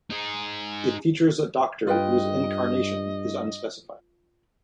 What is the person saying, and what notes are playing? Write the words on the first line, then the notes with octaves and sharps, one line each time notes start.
It features a Doctor whose incarnation is unspecified.
D#4 G#4
G2 F4 B4 D#5 G5